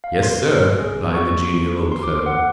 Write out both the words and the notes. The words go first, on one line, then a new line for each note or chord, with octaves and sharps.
"Yes, sir," replied the genial old fellow.
F5
C6
G#4
C#6
C6
D6
F#5